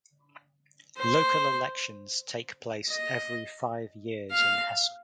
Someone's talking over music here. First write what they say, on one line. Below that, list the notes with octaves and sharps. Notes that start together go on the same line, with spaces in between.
Local elections take place every five years in Hesse.
C5
D#5
F5